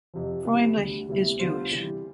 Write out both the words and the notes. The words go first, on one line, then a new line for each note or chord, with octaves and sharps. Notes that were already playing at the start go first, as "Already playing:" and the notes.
Freundlich is Jewish.
F2 C3 F3
C3 G3 B3 E4
D2 D3 G3
D2 C3 G3 B3 E4
D3 G3 B3 F4 C5
C3 E3 G3